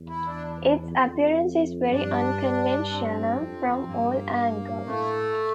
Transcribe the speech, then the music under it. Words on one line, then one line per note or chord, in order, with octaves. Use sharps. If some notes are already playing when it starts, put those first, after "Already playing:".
Its appearance is very unconventional from all angles.
Already playing: E2
E4
D4
F2
G2 D4
C4
F2
G2 A#3
A2 A3